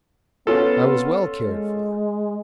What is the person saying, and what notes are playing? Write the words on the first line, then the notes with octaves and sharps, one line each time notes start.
I was well cared for.
B3 C#4 F4 A4
G#3